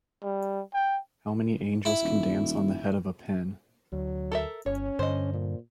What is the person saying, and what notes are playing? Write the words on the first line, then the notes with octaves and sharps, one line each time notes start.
How many angels can dance on the head of a pin?
G3
G5
E4
D#1
D2 F#3
A4 A#4 E5
G1 C#4 C#5
G2 D3 C5 D#5
A#2